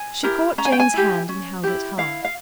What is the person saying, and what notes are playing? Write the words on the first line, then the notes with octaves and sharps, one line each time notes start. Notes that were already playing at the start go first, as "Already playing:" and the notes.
She caught Jane's hand and held it hard.
Already playing: G#5
E4 G4 A#4
C#4 A#5
G#5
G5
G#5
E4 G4
C#4
E4 G4
E4 F5
F5